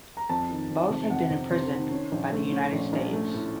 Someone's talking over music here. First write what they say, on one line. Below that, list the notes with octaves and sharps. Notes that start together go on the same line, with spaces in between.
Both had been imprisoned by the United States.
A#5
F2 A5
D#3
F2
C3
F2 F#5
C3
C3 C5
D#3
C#4
A#1
A3
C#4
A#1
A#1
A3
A2